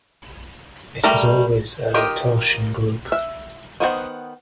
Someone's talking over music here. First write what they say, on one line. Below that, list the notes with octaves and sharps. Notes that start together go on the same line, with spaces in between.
It is always a torsion group.
G3 A3 A#4
D#3 F4 G4 A#4 D#5
E5
D#3 B3 F#4 C5 F#5